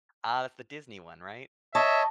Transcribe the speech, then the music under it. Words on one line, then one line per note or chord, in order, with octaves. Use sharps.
Ah, that's the Disney one, right?
C#5 D#5 E5 A5